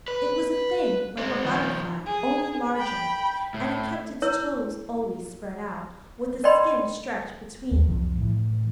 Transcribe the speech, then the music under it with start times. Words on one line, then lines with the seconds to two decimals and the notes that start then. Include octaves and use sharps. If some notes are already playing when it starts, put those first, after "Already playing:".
'It was a thing like a butterfly, only larger, and it kept its toes always spread out, with a skin stretched between.'
0.08 B4
1.18 G#3 C4
1.44 D#3 F3
2.06 G#4
2.75 G5 B5
3.54 A2
4.22 E4 A#4 C#5 E6
6.44 A#4 D5 D#5 G5 B5 C6
7.71 D#2
7.88 C2 F2 E3 F3
8.17 A2 E3